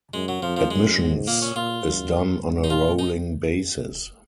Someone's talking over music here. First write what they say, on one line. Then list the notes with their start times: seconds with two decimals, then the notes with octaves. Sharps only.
Admissions is done on a rolling basis.
0.14 F#2 G#3
0.28 F#3
0.41 F2 F3
0.57 F3
0.71 F#2 G#3
0.99 G#2
1.27 A#2 A#3
1.42 C#4
1.56 A#2 F4
1.84 F#2
2.42 G#2
2.64 D#4
2.70 A#2 F4
2.99 D#4